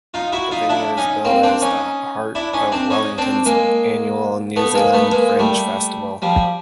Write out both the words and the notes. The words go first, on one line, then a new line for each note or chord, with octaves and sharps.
The venue is billed as the 'heart' of Wellington's annual New Zealand Fringe Festival.
D#4 F4
E4 F#4
D#4 F4
D4 E4
C#4 D#4
A#3 C4
C4 D4
C#4 D#4
D4 E4
C#4 D#4
C4 D4
C#4 D#4
C4 D4
G#3 A#3
A3 B3
G#3 A#3
A3 B3
G#3 A#3
G3 A3
F3 G3